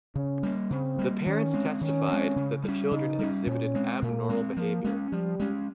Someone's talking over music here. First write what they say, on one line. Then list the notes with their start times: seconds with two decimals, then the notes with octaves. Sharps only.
The parents testified that the children exhibited abnormal behavior.
0.16 C#3 C#4
0.43 G3 A#3
0.70 C#3 C4
0.99 G3 A#3
1.26 D#3 C#4
1.54 G#3 C4
1.81 D#3 C#4
2.08 G#3 C4
2.36 C#3
2.64 G3 C#4
2.91 C#3 D#4
3.19 G3 C#4
3.47 A#2 C#4
3.75 G#3 C4
4.02 A#2 A#3
4.29 G#3 C4
4.57 F3 A#3
4.84 G#3 C#4
5.11 F3 G3
5.40 G#3 C#4